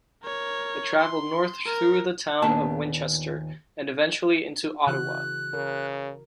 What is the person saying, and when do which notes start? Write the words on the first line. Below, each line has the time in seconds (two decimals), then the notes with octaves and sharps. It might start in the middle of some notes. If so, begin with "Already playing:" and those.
It traveled north through the town of Winchester, and eventually into Ottawa.
0.23 A#4 C#5
1.00 C6
1.65 A#4
2.42 D#2 A#2 B3 D4 A5
4.87 C#3 E3 F#4 F#6
5.53 C#3 A#4